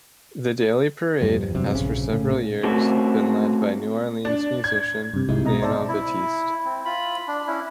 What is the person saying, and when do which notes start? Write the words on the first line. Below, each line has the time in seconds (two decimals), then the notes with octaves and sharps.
The daily parade has for several years been led by New Orleans-musician Lionel Batiste.
1.21 E2 G2 F3 G3
1.55 G2 C3 F#3
1.75 A#1 C#3
2.10 A2 C#3
2.63 A3 A#3 C4 C#4 F#4
4.25 D4
4.64 G#6
5.14 G2 C3
5.29 C2 G#2 C3 G#3 D#4 E4
5.45 B2 D#5 A#5
5.62 C5 D5 E5 A5
5.88 E4
6.65 C4
6.85 F4 B5
7.28 D4
7.47 C#4 E4